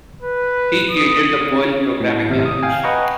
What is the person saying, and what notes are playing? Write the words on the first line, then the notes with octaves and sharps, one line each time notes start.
He created the Perl programming language.
B4
D#6
A2
G#1 C3 F6
D#6
F5 G5 G#5
B4 D#5 F#5 G5 A#5 C#6